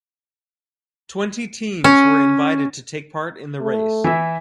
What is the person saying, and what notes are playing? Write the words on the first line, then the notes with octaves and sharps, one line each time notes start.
Twenty teams were invited to take part in the race.
C#4
A3
E3 E4 E5